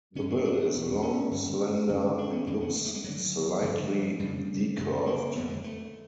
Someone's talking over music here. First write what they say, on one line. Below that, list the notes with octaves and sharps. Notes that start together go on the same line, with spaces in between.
The bill is long, slender, and looks slightly decurved.
G2 D3 C#4
D4
D4
E2 B2
C#4
G2 D3
F#2 D3 C#4
D4
C#4
F2 D3 C4
B3
A#3
A3
G#3
G2 D3 F#3
G2 D3 F3
F2 C#3 G3
F#2 C#3 A3
A#3
F2 D3 B3
G#3
A3